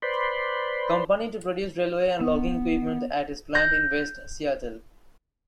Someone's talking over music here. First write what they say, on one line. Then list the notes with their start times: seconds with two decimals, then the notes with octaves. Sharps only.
Company to produce railway and logging equipment at its plant in West Seattle.
0.02 B4 C5 D5 B5 C6
2.21 B3
3.55 F#6 G6 A#6